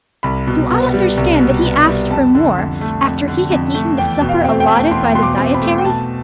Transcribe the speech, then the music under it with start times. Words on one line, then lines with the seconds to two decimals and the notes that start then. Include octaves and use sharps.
Do I understand that he asked for more, after he had eaten the supper allotted by the dietary?'
0.23 C2 B5
0.47 B2
0.70 B3
0.94 G3
1.17 C2
1.40 B2
1.64 B3
1.87 G3
2.10 F2 A5
2.35 D3
2.57 F2
2.81 A3
3.05 F2
3.28 D3
3.51 F2
3.75 A3
3.98 E2 G5
4.21 B2
4.29 F5
4.44 C4
4.60 G5
4.68 A3
4.91 E2 C6
5.15 B2 C6
5.23 D6
5.38 C4
5.54 B5
5.62 A3
5.78 G5
5.85 B2 A5